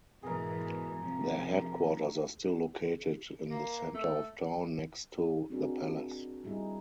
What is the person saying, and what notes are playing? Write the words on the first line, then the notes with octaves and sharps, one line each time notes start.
Their headquarters are still located in the centre of town, next to "the palace".
G#2 B2 E3 G#4 A#4
C3 F3
A#3
A3
C4 D4 D#4 F#4 G#4 A#4
G3 D#4 E4 G4 G#4